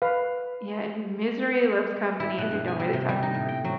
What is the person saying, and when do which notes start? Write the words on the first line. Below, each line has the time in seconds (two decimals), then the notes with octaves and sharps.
yeah, and misery loves company and we don't really talk anymore.
0.02 B4 F5
2.20 E4
2.38 B2
2.51 G2
2.68 G#5
2.79 G3
2.93 C3
3.09 G3
3.23 D#4
3.34 A2
3.49 G5
3.64 F#3